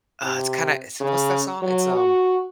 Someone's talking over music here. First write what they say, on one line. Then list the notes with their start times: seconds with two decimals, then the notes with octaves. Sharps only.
Uh, it's kinda it's what's that song? It's, um,
0.22 C3
1.00 C#3
1.62 F#3
1.94 F#4